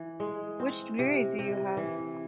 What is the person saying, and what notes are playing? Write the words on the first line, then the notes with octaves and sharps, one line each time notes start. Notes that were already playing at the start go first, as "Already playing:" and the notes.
Which degree do you have?
Already playing: E3
G#3
C4
C3
C3
E3